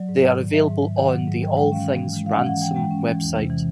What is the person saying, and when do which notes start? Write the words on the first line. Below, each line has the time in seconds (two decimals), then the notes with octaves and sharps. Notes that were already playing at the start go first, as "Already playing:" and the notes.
They are available on the "All Things Ransome" website.
Already playing: F#3 D5
0.09 G#2
0.23 G#2
0.38 D#3
0.53 F#3 E5
0.68 G#2
0.83 G#2
0.97 D#3 F#5
1.13 F#3
1.28 G#2
1.42 E3 G5
1.57 G#3 G5
1.72 C#4 F5
1.87 E3
2.02 E3
2.16 G#3
2.26 F5
2.31 C#4 F#5
2.46 E3 F#5
2.61 E3 G5
2.76 G#3 G5
2.91 C#4
3.06 E3
3.20 E2
3.36 C3
3.50 E3